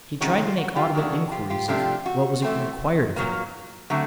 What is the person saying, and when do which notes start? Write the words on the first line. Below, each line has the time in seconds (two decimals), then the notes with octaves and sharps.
He tried to make audible inquiries of what was required of him.
0.21 C3 D#3 G#3 C#4 F#4
0.39 F4
0.58 F#4
0.76 F4 G4
0.95 D#3 F#3 A3 D4 F#4
1.13 F#4
1.32 F4 G4
1.50 F4 G4
1.68 C3 F3 A3 D4 F4 G4
2.06 F#4
2.42 E3 A3 C4
3.16 A#2 F#3 A#3
3.90 D3 F#3 A3 C4 F#4